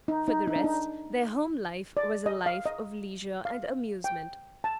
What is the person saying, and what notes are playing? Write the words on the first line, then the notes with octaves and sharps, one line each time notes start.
For the rest, their home-life was a life of leisure and amusement.
D#4
D#4
D#4
D4
D#4
D5
D#5
F5
D#5
F5
G5
A5